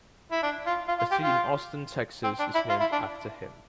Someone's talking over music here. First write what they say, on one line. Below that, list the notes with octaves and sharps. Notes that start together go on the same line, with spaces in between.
A street in Austin, Texas is named after him.
E4
D4
F4
F4
F4
G4
F4
C4
D4
E4
F4
E4
D4